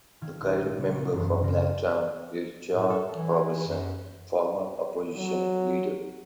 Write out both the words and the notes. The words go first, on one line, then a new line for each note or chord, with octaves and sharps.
The current member for Blacktown is John Robertson, former Opposition Leader.
D#3 F3 E6 F6 G#6
A#1 D#4 D5
C#3 G#3
F#4 A4 F5
E1 F#2 C#3 C4 C5
F#1 C#3 C6 F6 A#6 D7
A2
A4
E3
F#2
F#3